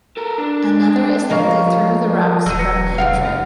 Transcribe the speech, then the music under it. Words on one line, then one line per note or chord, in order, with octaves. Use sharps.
Another is that they threw the rocks from hatred.
A4 A#4
D4
C#3 F3 A#3 D#5 F5 C#6
E1 F#3 E6 D#7
B4 A#6 C#7
F1 D#2 C#3 F5 F#5 F6